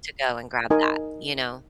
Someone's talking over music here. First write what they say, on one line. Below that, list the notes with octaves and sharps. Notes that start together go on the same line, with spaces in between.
To go and grab that, you know?
D#4 A#4 D#5 G#5